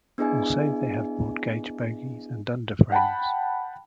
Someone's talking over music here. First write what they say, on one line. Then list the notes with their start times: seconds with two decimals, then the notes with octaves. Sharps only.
Also, they have Broad Gauge bogies and under-frames.
0.18 B3 D4 E4 G#4 D#5 G#5
2.92 F#5 G5 A5 B5